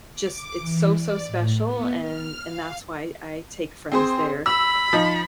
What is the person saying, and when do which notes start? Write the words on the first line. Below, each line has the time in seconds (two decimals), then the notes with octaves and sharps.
just it's so, so special and and that's why I take friends there.
0.13 D6
0.59 E3
0.94 D5
1.27 A2
1.63 B3
2.00 F6
2.43 F5
3.92 C4 G#4 C5
4.46 B5 E6
4.93 F3 D#4